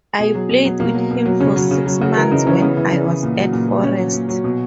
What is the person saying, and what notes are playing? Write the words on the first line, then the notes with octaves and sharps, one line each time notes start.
I played with him for six months when I was at Forest.
B2 G#4
F#3
B2
F#3
B2 A#3
F#3
B2
F#3
C#3 C#4
F#3
C#3
F#3
C#3 F#4
E3 A#4
C#3 D#4
E3 C#4
C#3 B3
E3
C#3
E3
A#2
F#3
A#2
F#3
A#2 C#4
F#3
A#2
F#3
B2